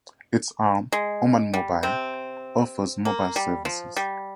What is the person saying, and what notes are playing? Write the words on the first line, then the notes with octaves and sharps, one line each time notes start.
Its arm Omanmobile offers mobile services.
G#3
G3
C3 C4
A#3
G3
F3
G3